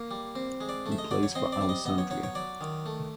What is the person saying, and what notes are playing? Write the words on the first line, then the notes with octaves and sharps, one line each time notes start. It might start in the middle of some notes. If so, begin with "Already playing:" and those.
He plays for Alessandria.
Already playing: A#3
G3
C4
G#3
D5
A3
E5
D#5
F#3 D5
C#5
C4 D#5
D5
G3
D#5
B3 D#5
C#5
F#3 C#5
C#5
F#3 D5
D#3
A3